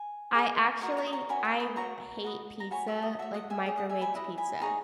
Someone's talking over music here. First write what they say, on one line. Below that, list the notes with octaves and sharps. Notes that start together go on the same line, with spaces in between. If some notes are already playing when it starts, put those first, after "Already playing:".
I actually I w hate pizza, like, microwaved pizza.
Already playing: G#5
G#4 B4 D#5
F#4 A#4 D#5 A#5 C#6
A#5 C#6
D#6
A#5 C#6
F#4 A#4 C#5 G#5 B5
G#5 B5
B5 D#6
F#4 C#5 A#5 C#6
F#4 B4 D#5
A#5
F#4 C#5 G#5 B5
E5
D#5
F#4 C#5 E5
D#5 F#5
E5 G#5
G#4 D#5
D#5 F#5
E5 G#5
G#5 B5
E4 B4 D#5
G#5 B5
D#4 G#4 C#5 A#5 C#6